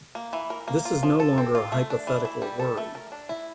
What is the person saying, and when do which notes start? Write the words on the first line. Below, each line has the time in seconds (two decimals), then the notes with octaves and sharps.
This is no longer a hypothetical worry.
0.15 A#3
0.33 E3
0.50 A#4
0.68 A#3
0.85 F4
1.03 F3
1.20 A4
1.38 C4
1.55 F4
1.72 A3
1.90 D4
2.07 E3
2.25 E4
2.42 G3
2.60 A4
2.77 A3
2.95 A#4
3.12 D4
3.29 E4